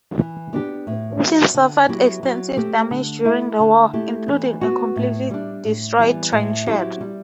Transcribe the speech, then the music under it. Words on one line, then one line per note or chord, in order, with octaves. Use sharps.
The station suffered extensive damage during the war, including a completely destroyed trainshed.
E3
B3 D4 G4
A2
F#3 C4
D3
F#3 B3 E4 G4
F#3
A3 C4 G4
D3
A3 E4
D3
A3 E4 G4
E3
B3 F#4
A2
G3 D4
A2
E3 G3 B3
A2
F#3 C4 E4 G4
G3